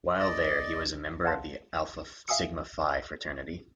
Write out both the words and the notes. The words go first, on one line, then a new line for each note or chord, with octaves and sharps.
While there, he was a member of Alpha Sigma Phi Fraternity.
D5 D#5
D5 F5 F#5 A5 C6
E5 F5 G#5 D#6 E6 C#7